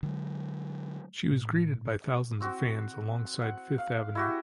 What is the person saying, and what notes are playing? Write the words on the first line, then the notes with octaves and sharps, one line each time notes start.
She was greeted by thousands of fans alongside Fifth Avenue.
D3 F#3 G#3
A2
C4 F#4
F#5
F5
E4 F#4 G4